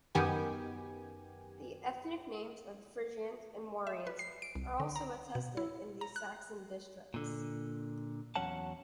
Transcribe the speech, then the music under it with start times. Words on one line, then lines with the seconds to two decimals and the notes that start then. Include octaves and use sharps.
The ethnic names of Frisians and Warines are also attested in these Saxon districts.
0.15 F#2 D#3 B3 G4 G#5
3.87 E5
4.07 B4
4.19 C7
4.42 D7
4.55 C2
4.80 D3
4.96 A#5
5.35 B2
5.57 E4
6.01 A#5
6.16 F#6
7.14 A#2 D3
8.36 E2 F#3 C#4 C#5 F#5 A5